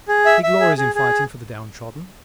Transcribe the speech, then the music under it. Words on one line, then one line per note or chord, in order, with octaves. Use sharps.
He glories in fighting for the downtrodden.
G#4
E5
E5
G#4
G#4
G#4